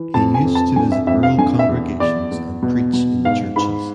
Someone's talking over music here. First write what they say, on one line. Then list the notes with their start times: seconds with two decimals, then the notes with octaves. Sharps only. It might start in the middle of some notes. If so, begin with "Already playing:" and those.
He used to visit rural congregations and preach in the Churches.
Already playing: E3
0.14 F2 A5
0.34 G#5
0.45 F2
0.55 A5
0.76 D3 G#5
0.92 E5
1.07 F2 E5
1.23 F5
1.38 D3 G#5
1.59 E5
1.69 E2
2.00 E2 D5
2.31 E2
2.62 B2
2.93 B2
3.25 G#2 F5
3.56 G#2 B5